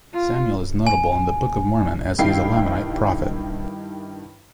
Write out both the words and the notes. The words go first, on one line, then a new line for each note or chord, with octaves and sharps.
Samuel is notable in the Book of Mormon as he is a Lamanite prophet.
F4
G#5
G2 D#3 E4 F5 G5 C7